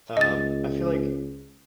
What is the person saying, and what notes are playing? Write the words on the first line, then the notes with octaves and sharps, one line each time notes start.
Um, I feel like
C#2 D#5 A6